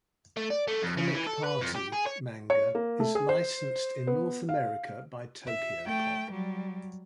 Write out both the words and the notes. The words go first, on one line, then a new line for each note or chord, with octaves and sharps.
"Comic Party" manga is licensed in North America by Tokyopop.
A3
D5
A3
F2
C#3
E3
A4
B4
F2
G4
G#4
C#5
C#5
A#3
A3
G#4
C5
B3
F5
E5
A3 G5
F#3 G3